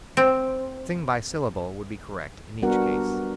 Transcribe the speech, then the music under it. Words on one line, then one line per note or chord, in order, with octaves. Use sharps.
"Sing by syllable" would be correct in each case.
C4
G3 B3 D4 F#4 A#4 F#5